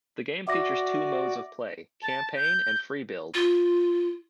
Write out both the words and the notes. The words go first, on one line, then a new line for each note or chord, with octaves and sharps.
The game features two modes of play - Campaign and Free-Build.
F#4 D5 E5 D6 A#6
A5
G6
F4